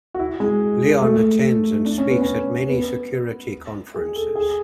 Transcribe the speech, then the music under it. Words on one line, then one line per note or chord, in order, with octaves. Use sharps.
Lyon attends and speaks at many security conferences.
F#4
E4
G#3
A3
D4
C#4
B3
C#4
B3
G#4
A4
G#4